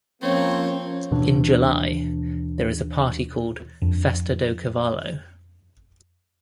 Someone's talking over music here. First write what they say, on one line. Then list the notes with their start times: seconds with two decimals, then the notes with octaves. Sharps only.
In July there is a party called "Festa do Cavalo".
0.22 F3 A#3 C4 C#4 C#5
1.11 D#2 B2 E3 D4
3.82 F2 D4